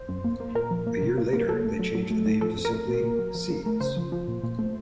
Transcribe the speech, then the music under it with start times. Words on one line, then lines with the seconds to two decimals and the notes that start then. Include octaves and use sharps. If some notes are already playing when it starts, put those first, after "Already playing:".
A year later, they changed the name to simply Seize.
Already playing: C5
0.09 F#2
0.24 A#3
0.40 A#3
0.55 A#2 A#4
0.71 F3
0.87 A#3
1.02 C3
1.18 A#3
1.33 A#3
1.48 F#3 A4
1.64 A2
1.80 F#3
1.95 F#3
2.11 A3
2.26 A2
2.41 F3 A4
2.57 F2
2.65 A#4
2.73 A3
2.88 A#2
3.04 A#2
3.19 F#3
3.35 F3
3.50 C#3
3.66 A3
3.81 C#3 C5
3.97 F3
4.12 F3
4.28 A#2
4.43 A#2
4.59 A3